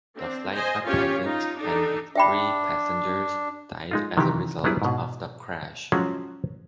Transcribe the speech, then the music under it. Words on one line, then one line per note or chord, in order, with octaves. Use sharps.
The flight attendant and three passengers died as a result of the crash.
C4 D4
C5 D#5 G#5
C#4 F4 G4 C#5
D#4 F4
D4 D#4 G4 A4
D4 E5 G5 B5
G#3 D#4 F4
C3 D#3 E3 F#3 F#4 G4
F#3 G3 B3 D4 E4 G#4
G#2 B2
F3 F#3 G#3 C#4 F4 F#4